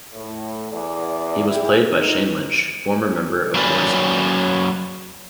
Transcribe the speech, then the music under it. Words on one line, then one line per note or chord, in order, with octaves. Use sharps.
He was played by Shane Lynch, former member of Boyzone.
A2
E2 D5
E4 G4 G#4
D2 D#4
F#3 A#3 C#4 B4 D5